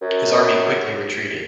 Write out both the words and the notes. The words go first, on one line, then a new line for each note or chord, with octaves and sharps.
His army quickly retreated.
F#2